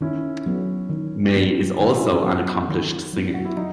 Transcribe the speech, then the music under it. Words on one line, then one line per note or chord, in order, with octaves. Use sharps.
May is also an accomplished singer.
D#3 C#4 E4
F#3 B3
D#3
F#3 B3
D#3 E4
F#4
C#4 E4
F#3 B3
D#3
F#3 B3
F#4
E4
F#3 D#4